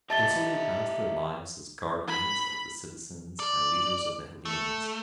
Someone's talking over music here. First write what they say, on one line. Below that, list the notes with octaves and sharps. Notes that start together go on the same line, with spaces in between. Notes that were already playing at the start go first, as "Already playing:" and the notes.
And so they passed their lives as guardians of the citizens and leaders of the Hellenes.
G4 D#5 E5 A5 A6 G7
B5
D5
A3